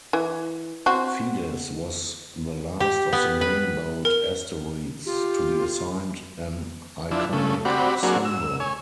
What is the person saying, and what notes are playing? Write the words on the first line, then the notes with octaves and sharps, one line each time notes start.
Fides was the last of the main-belt asteroids to be assigned an iconic symbol.
E3
C4 F#4
G4
B3
B4
A#4
F4 G4
F3 D4 E4
C#3 A3
C4 F#4 G4 D5 B5
F#3 A#3 C4 D4 F#4 G#4
E6
C#5 G#5